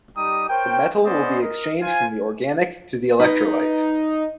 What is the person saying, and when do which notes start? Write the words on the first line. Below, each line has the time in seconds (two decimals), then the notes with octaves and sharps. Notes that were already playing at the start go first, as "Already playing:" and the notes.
The metal will be exchanged from the organic to the electrolyte.
0.17 G3 D#4 G4 A#5 D#6
0.50 A#4 C5 C#5 G5
1.06 B3 C#4 C5 D5 D#5
1.42 A#4 D#5
1.81 F4 C5 G#5
3.20 D#4 B4 D#5